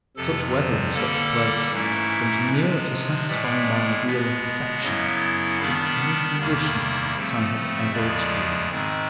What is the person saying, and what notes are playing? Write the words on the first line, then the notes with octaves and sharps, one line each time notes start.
Such weather in such a place comes nearer to satisfying my ideal of perfection than any condition that I have ever experienced.
F2 C3 F3 A4
D3 G3 A#3 A4
G#2 E3 A3 C#4 E4
C3 F3 G#3
A2 E3 G#3 D5
B2 G#3 B3
F#2 C#3 F#3 B3 E4 D#5
D#3 G3 B3 D4 F5
F#5
E2 C3 D#3 G3 A#3
C#3 F3 A3 C4
E2 C#3 F3 G#3 D5
G#2 D#3 G#3 C4